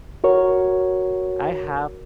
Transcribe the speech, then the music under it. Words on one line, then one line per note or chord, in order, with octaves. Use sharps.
I have
F#4 A#4 C#5